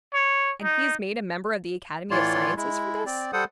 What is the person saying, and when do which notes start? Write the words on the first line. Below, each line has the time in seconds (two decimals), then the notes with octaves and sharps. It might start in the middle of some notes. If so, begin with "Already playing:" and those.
"And he is made a member of the Academy of Sciences for this?"
0.14 C#5
0.63 D#4
2.11 A2 E3 F4 C#5 D5 C6
2.57 G#3 E4
3.06 C4 D5
3.33 G3 A4 C5 F#5 D#6